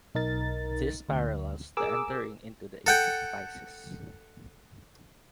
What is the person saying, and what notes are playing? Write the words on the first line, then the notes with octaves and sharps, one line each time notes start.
This parallels the entering into the Age of Pisces.
B1 D#4 A#4 A6
D2
G#4 A#4 D6 E6
A4 F#5 G5